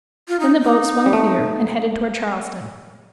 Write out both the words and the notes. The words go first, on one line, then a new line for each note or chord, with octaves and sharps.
Then the boat swung clear and headed toward Charleston.
F4
D#4
D#4
G3
A3